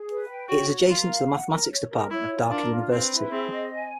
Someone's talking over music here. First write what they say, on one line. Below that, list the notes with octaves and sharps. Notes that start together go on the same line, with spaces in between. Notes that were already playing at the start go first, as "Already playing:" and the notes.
It is adjacent to the Mathematics Department of Dhaka University.
Already playing: G#4
B4
G5
F#4 C#5
F#4
F4 A#4
F5
F#5
A#4
C#5
A#4
E4 C#5
F4
D4 A#4
F4
C4 B4
E4
C4 G#4
D#5
G#5